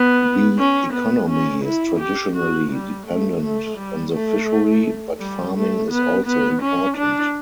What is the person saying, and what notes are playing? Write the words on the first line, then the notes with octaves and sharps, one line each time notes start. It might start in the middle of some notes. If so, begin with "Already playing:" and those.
The economy is traditionally dependent on the fishery but farming is also important.
Already playing: B3
C#4
B3
C#4
E4
G4
F#4
G3
A3
A3
G3
A3
G3
A3
B3
B3
C#4
D4